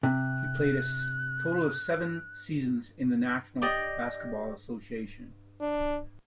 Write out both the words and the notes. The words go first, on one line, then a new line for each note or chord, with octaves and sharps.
He played a total of seven seasons in the National Basketball Association.
C3 F#6
G4 D5 D#5
D4